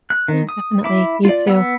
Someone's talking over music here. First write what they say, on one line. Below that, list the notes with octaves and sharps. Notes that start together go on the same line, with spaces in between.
Yeah, definitely, you too.
F#6
D#3
D#6
E4 B5 D6
F4 D5
B3 E6